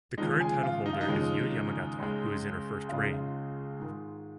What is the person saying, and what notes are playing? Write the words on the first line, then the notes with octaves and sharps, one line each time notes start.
The current title holder is Yuu Yamagata who is in her first reign.
D#2 C#3 F3 G#3 D#4 D#5
G#4 G#5
F4
D#4
F4
D#4
D#2 C#3 F3 G#3
C#2 C#3 G#3
C#2 C#3 G#3 F4
D#4
F4
G#2 D#3 G#3